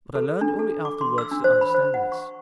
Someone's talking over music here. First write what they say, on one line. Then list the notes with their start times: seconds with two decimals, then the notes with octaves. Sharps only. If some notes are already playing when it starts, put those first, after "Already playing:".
But I learned only afterwards to understand this.
0.15 A4
0.41 D4
0.59 A4
0.85 D6
1.01 C6
1.18 E6
1.31 D4
1.44 C5
1.61 B5
1.74 C5
1.94 F#5
2.12 C#6